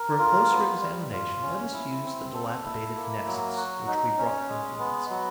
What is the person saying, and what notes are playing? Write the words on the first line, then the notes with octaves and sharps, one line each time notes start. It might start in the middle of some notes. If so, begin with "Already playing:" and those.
For a closer examination, let us use the dilapidated nests which we brought from the fields.
Already playing: A#4
F4
B3
G3
F4
C#4
E4
C4
A4
E4
A#3
F#3
F#4
D#4
C#4
G#3
B3
F#3